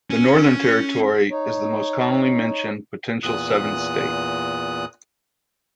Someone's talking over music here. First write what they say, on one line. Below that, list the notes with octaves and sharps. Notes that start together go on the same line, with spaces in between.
The Northern Territory is the most commonly mentioned potential seventh state.
C#4
D#4 C#5
E2 A#2 D#6 F#6